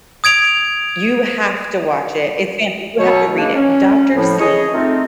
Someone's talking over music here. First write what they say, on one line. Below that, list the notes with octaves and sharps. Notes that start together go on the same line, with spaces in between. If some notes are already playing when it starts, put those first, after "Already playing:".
You have to watch it. It's fan you have to read it, Doctor Sleep.
D#6 G#6 D7 F7
F#2 B2 F#3 C#5
G#3 A#3 D4
C#4
A2 F3
G#4 C#5 D#5
A3 C4 D#4 F4